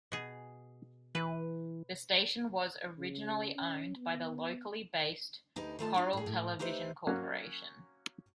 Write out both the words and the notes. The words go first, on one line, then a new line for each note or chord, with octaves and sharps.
The station was originally owned by the locally-based Coral Television Corporation.
B2 G#4
E3 B4
C#3
C#4
B3
D2 D#4 G4 B4 D#5
D#3 A3 F4 A5
D4 D#4 F4
A2 G#4
A2
D#4 G4 B4 C5 E5
F#3 A#3 C#4 F#4